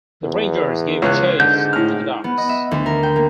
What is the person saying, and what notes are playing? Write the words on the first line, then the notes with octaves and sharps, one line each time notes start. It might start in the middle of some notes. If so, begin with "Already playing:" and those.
The Rangers give chase to the docks.
E2
C#2 C#5 F#6
G#2 D3 G6
A2 F6
B3
D#5
E5
D2
A#4
G5
A#3